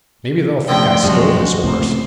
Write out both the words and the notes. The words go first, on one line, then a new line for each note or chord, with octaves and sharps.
'Maybe they'll think I stole this horse.
A2 D3 F3 G5
A1 F#2 F3 G3 G#3 F#4
C#2 A2 C3 C5